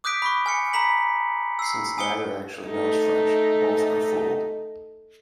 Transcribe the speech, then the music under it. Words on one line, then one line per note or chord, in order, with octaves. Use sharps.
Since neither actually knows French, both are fooled.
D6 D#6 F#6 G6 B6 D7
B5 C#6
G#5 F6 C#7
A#5 B5 B6 F#7
E6 C7
G#5 D#6 C#7 G7
A3 D#4